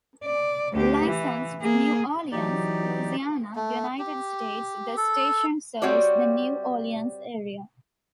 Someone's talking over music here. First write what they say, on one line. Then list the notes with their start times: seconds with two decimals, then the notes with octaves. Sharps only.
Licensed to New Orleans, Louisiana, United States, the station serves the New Orleans area.
0.24 D5
0.73 D2 G4
1.05 E3
1.62 A#3 G#4
2.32 E3 F#3 D#4 G4 D5
3.56 A3
3.99 G4
4.97 A4
5.82 G3 C4 F#4 C#5 D5